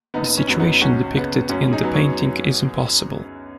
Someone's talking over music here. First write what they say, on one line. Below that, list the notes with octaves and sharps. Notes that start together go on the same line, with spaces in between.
The situation depicted in the painting is impossible.
F#1 B3 D#4
C#4
F#2 F#3 B3
B3 D#4
C#2 C#4 F#4
C#3 B3
F#2 C#4 F#4
D#4 G#4
F#3 B3
G#4 C#5